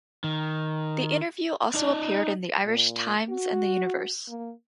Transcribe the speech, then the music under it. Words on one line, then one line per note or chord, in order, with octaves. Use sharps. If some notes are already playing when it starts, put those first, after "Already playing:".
The interview also appeared in The Irish Times and The Universe.
D#3
D#4 D5
A#2
F#4
A#3